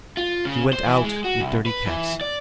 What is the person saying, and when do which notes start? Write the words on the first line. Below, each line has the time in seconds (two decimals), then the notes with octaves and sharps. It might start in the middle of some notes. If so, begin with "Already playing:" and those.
She went out, with dirty caps.
0.17 F4
0.45 C#3
0.73 C5
0.86 E3
1.04 G#3
1.24 F#4
1.40 C2
1.66 B4
1.86 E3
2.21 D5